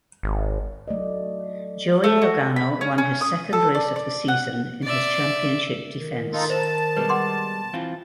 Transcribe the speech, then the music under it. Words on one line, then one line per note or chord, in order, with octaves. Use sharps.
Joey Logano won his second race of the season in his championship defense.
G#1
F#3 A3 D5 D#5
A3
F#4
B5
C#4
C#4
D#6
A4
D5
D5
F#5
D5 E5
D#3
D#4 F4 A4
C5 A5
B2 G3 G#3 B4
F#5 C6 D6
E3 C4 F4